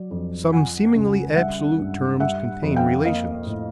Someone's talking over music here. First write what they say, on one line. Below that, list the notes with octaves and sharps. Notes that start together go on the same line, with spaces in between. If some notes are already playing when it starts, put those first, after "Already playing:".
Some seemingly absolute Terms contain Relations.
Already playing: F#3 D5
F2
F3 F#5 G#5
C#2
G3 E5 F#5
G2
G3 E5 F#5
F2
F5 G5
A#3 D#5 F5
A2